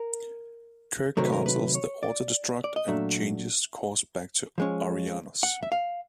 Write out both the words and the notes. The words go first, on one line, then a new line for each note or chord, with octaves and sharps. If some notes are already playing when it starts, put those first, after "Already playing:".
Kirk cancels the auto-destruct and changes course back to Ariannus.
Already playing: A#4
C3 D#3 F#3 A3 A#4
B4
A#4
B4
C#5
D5
D5
D#5
A#2 F#3 A3 D4 E5
F3 G#3 C#4
F#5
E5
F5